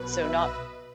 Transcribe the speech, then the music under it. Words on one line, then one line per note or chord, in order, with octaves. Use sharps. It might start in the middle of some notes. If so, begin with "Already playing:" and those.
So, not
Already playing: B1 B2 B4
E5
D#5